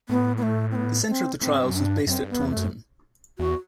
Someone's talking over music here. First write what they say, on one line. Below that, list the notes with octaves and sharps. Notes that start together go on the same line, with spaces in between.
The Centre of the trials was based at Taunton.
A2 B3
B3
A3
C4
B3
C4
A2 C4
G2
F#2
D4
G2
F#2 C4
G2
B3
E2
A3
F#2
E2 F#4